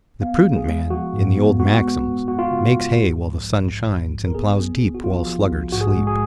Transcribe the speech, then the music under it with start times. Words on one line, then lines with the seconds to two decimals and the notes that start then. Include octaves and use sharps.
The prudent man, in the old maxims, makes hay while the sun shines and ploughs deep while sluggards sleep.
0.21 B3 F5
0.44 B3
0.56 G#4
0.68 G#3
0.90 F3 F#4
1.13 G#2
1.36 B3
1.60 G#3 F#4
1.82 B3
2.05 F#2
2.28 B3 F#4
2.39 F4
2.51 C#3
2.59 F4
2.74 G#3
2.97 G#2
3.20 F3
3.43 A#1
3.66 G#2
3.89 A#1
4.12 A#1
4.27 A#4
4.35 B3 G#4
4.57 B3
4.81 A#1
4.95 F#4
5.04 F3 F4
5.27 F3
5.50 A#1
5.72 G#2 F#4
5.81 G#4
5.88 F#4
5.96 G#3
6.07 G#4